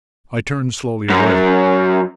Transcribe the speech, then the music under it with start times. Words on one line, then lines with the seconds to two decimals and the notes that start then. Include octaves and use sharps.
I turned slowly away.
1.10 F#2